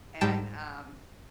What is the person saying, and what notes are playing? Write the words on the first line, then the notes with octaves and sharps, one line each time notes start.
and um
G#2 G3 G5 A5 E7